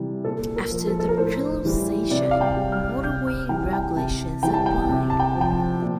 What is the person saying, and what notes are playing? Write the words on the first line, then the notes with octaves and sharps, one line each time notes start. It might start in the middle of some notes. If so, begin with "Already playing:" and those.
After the toll station, motorway regulations apply.
Already playing: C3 E3 G3
A#2 A4
A#4
F3
A4
A4
A#4
A2 C5
E3 G3
C3 D5
F5
G5
G3
F6
C3 G6
F6
E3 G3 G5
G5
C3 A5
E3 G3 G5
A5
G5
C3
A5
G5
F3
G5
A5
A#2